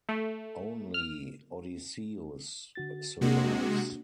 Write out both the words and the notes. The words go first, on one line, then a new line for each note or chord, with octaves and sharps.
Only Odysseus survives.
A3
F6
D3 F#4 A6
C3 G#3 A#3 D4 F#4